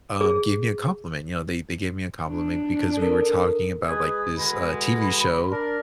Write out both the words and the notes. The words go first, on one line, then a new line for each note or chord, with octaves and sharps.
um, gave me a compliment. You know, they they gave me a compliment because we were talking about, like, this, uh, TV show
G#4
D4
A4 A#4
G#3 B4 G#5 D#6
B2 D3 G#3 B5
D4 A#4